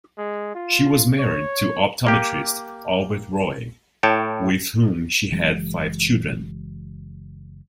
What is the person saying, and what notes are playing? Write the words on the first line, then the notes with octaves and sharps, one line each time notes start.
She was married to optometrist Albert Roy, with whom she had five children.
G#3
F4
C#5
A#3 G4
A2 C#5 G5 A5
F#1 E3 F#3 G#3